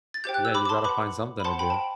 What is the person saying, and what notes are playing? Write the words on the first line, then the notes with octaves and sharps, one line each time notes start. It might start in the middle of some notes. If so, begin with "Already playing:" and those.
Yeah, you gotta find something to do.
A6
G4 C5 G5 G6
F#6
E6
B5 D6
D6
A5 C6
B4 F#5 B5 D6
B5
C5 F#5 A5 C6
G5 B5
A5
G5